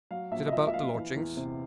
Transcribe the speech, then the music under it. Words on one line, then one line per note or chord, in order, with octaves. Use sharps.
"Is it about the lodgings?"
F#3 F5
A#1 E5
D#5
A#2 E5
E5
A#1 F5
E3
E2
C3